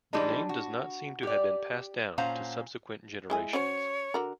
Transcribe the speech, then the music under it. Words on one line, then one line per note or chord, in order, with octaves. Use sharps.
The name does not seem to have been passed down to subsequent generations.
E3 G3 G#3 D4 D#4
F#4
G4 D5
A#2 C#4 C5 F5 F#5 A#5
G#3 E4 G#5
C#4 F#4 C5 C#5
D3 F#4 A#4